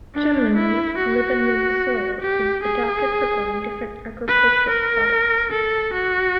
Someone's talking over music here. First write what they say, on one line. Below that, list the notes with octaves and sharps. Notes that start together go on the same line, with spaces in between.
Generally, Libmanan soil is adapted for growing different agricultural products.
D4
E4
F#4
G4
G#4
B4
A#4
A4
F#4